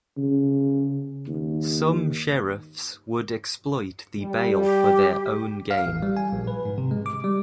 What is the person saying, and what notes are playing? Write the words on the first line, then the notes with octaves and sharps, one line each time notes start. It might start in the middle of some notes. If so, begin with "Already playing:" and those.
Some sheriffs would exploit the bail for their own gain.
C#3
D#2
G3
G4
F5
A1
G3
G#5
A#1
B4
G#2
C3
G#3
D6
G3